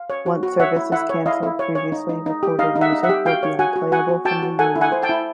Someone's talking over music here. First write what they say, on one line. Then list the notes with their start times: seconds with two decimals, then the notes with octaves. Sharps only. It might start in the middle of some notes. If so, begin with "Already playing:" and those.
Once service is canceled previously recorded music will be unplayable from the unit.
Already playing: F5
0.10 C#5
0.26 F#4
0.43 F#4
0.60 C#5 E5 F#5
0.76 E4
0.92 E4 E5 F#5
1.10 C#5
1.26 E4 D#5 F5
1.43 E4
1.59 C#5
1.75 C#5
1.92 D#4
2.09 D#4
2.26 D#4
2.43 G4
2.59 D#4 D#5 F5
2.76 D#4
2.81 E5 F#5
2.92 D#4
3.03 E5 F#5
3.09 G4
3.25 F#4 F5 G5
3.43 C#5
3.59 F#4 F#5 G#5
3.76 F#4
3.92 F#4 F#5 G#5
4.09 F#4
4.25 F#4 G5 A5
4.42 F#4
4.59 A4 F#5 G#5
4.76 E4
4.81 F#5 G#5
4.92 C5
5.03 G5 A5
5.09 E4